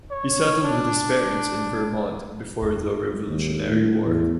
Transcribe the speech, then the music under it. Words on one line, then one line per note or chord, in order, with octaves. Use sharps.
He settled with his parents in Vermont before the Revolutionary War.
C#5
D4
D#2
A2
E2